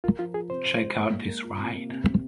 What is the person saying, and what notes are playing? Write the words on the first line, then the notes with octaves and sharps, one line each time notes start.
Check Out This Ride!
F4 A#4
F3 F4
F4 G#4
C3 C5
C3
G#3
A#3
A#3
A#4
F4
C3
A#3
C3
C3